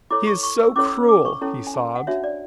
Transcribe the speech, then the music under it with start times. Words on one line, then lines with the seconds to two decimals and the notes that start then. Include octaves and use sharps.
"He is so cruel!" he sobbed.
0.11 E4 A4 C#5 D6
0.27 C#6
0.43 C#6
0.59 E6
0.76 C#4 E4 A4 C#5 D6
0.93 E6
1.09 D6
1.25 C#6
1.41 C#4 E4 A4 C#5 A5
1.67 G#5
1.74 A5
1.96 F#5
2.07 D4 F#4 C#5 E5
2.24 D5